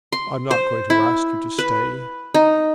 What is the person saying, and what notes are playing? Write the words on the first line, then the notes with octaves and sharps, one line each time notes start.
I'm not going to ask you to stay.
C6
C5
E4
B4
D#4